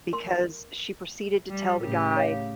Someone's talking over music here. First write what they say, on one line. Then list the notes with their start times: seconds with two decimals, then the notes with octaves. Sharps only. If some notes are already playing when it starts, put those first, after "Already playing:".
because she proceeded to tell the guy,
0.13 A#4 C6
1.50 G3
1.81 A2 C#3 G4 A#4
2.16 C#5 F5